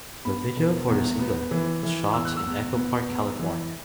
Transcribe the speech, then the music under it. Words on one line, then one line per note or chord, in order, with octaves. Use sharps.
The video for the single was shot in Echo Park, California.
B3 B5
E1
E2
B3
E3
E3
E2 E6
F#6
E6
E2
B3
E2
E3